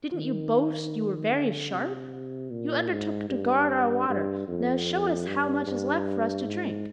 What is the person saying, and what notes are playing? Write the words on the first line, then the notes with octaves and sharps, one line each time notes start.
Didn't you boast you were very sharp? You undertook to guard our water; now show us how much is left for us to drink!'
D#3
D3
C3
A#2
G#2
G2
G2
F2
G2
G2
G#2